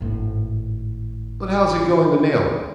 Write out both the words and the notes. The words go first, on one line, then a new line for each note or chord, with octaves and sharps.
'But how's he going to nail him?
G#1 A2